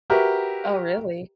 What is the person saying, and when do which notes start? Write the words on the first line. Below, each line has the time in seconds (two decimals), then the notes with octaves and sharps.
Oh, really?
0.10 F#4 G4 A#4 B4 E5